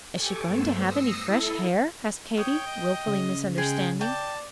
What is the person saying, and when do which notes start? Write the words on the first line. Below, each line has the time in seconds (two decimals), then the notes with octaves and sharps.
"Is she going to have any fresh hair?" asked Katy, wilfully misunderstanding.
0.13 G4 A4 G#5 C#6 D6
0.44 G2 A3 B3 C5 E6
0.79 D#6 E6 A#6 C7 C#7
1.23 E4 A4
2.37 C#5 G5 D#6
2.67 D#5
3.07 C#3
3.58 G#3 G#4 G5
4.01 D5 G5 A5